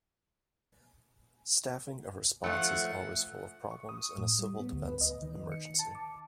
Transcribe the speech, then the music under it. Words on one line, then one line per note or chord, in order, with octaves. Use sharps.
Staffing a response is always full of problems in a civil defense emergency.
F3 A3 F#5
C#6
D#6
A2
G3
B3
D2
B4
D#5
D#3
C#7
A5
D6